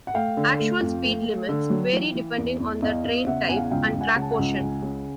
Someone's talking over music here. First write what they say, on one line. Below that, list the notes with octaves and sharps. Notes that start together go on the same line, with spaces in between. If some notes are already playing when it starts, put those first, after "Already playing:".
Actual speed limits vary depending on the train type and track portion.
F#5
A3 F5 G5
D3
A3
F2
A3
A3
D3
F#3
E3
E3
E2
E2
E2 D#5 F5
E2 D#5 F5
C#3 E5 F#5
E2 F#5 G#5
F5
F#5
C#2 F5 G5
C#2
F#5 G#5
C#3
A5
F#5 G#5
C#2
C#2
C#3